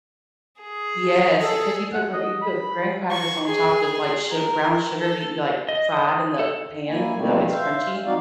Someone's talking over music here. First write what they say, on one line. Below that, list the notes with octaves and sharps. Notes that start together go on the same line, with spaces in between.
Yes, it 'cause you put gr you got graham crackers on top with, like, su brown sugar that you, like, fried in the pan, that way it's crunchy,
G#4
A4
F#5
D#5
B5
C#6
G#4
A#4
A4
D#5
D#6
A4
A#3 E4 G#5
B2 F3 G3 A3 A#3 C4
C5 E5 F5
F3 C4 D#4 F#4 D5 F5